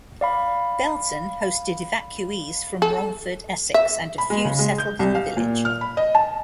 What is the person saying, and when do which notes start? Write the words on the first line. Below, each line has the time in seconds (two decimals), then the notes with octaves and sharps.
Belton hosted evacuees from Romford, Essex and a few settled in the village.
0.21 D5 F5 B5
2.82 A4
3.74 E5
4.18 B5
4.30 G#3
4.45 C#3
4.59 G#3
4.78 G6
4.99 C2
5.15 F5
5.37 A#2
5.65 F6
5.81 B5
5.97 D#5
6.15 A5